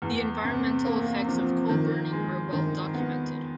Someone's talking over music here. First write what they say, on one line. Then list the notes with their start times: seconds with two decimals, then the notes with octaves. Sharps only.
The environmental effects of coal burning are well documented.
0.02 E2
0.44 C3
0.85 A#3
1.27 F3
1.69 D#3
2.12 G#3
2.53 D#3
2.94 B3